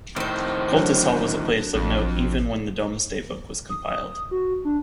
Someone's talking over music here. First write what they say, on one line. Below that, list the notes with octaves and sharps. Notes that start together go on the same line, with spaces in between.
Coltishall was a place of note even when the Domesday Book was compiled.
A2 D#3 C4 C5
D3 F#3
A1 F2
D#6
F#4
D4